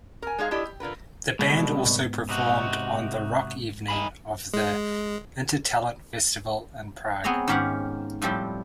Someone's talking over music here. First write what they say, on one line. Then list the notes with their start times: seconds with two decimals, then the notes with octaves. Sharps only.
The band also performed on the rock evening of the Intertalent Festival in Prague.
0.22 A#4 G#5
0.39 G#3 D#4 G#4 F5
0.51 D4 E4 G4 A4 D#5
0.64 G4
0.80 D3 F4 A#4 B4
1.39 C2 B2 G#3
1.85 G#2 B3
2.29 C3 D#4 F#4
3.88 D#4 G#5 B5
4.54 G#3
7.24 B3 C4 G#4 C#5 A#5
7.48 G#2 D#3 C#4 G4 F5 F#5
8.22 A2 F3 G3 C4 E4